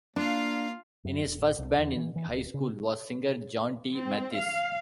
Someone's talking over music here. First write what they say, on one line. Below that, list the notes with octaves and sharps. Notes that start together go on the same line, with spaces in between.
In his first band in high school was singer Johnny Mathis.
A#3 D4 F4 F5
F#2
E1
A1
C2
E2
E3
E3
D1
C#3
C4
F5